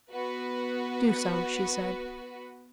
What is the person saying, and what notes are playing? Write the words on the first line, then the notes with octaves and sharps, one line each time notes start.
"Do so," she said.
B3 F#4 B4